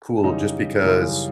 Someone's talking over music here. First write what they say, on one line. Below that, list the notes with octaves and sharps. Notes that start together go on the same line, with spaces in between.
cool just because
F#2 C#3 E3 G3 D#4
F#2 C#3 E3 G3